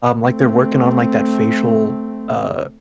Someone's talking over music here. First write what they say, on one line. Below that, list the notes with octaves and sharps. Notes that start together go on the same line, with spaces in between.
Um, like, they're working on, like, that facial, uh,
A3 C4